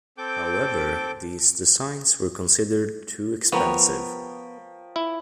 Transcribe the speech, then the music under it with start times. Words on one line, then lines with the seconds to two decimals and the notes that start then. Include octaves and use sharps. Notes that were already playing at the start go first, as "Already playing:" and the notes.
However, these designs were considered too expensive.
0.18 C4 A4 G5 D6 G6
3.52 F3 B3 A#4 C#5 G5
4.96 E4